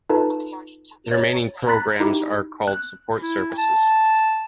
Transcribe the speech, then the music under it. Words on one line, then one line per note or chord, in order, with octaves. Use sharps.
The remaining programs are called support services.
D#4 F4 A4 B4 A5
C#5 A6
A#5 B5 F#6 A6 B6
D#4 E4 F#4 G4
F#6
E4
A5